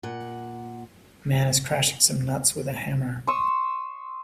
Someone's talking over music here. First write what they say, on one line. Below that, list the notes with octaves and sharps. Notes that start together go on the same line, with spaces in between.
Man is crashing some nuts with a hammer.
A#2 F#5
C6 C#6 D#6 E6